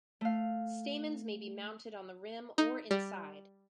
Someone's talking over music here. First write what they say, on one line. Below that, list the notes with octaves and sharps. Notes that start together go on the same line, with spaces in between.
Stamens may be mounted on the rim or inside.
A3 F5
D#4
G3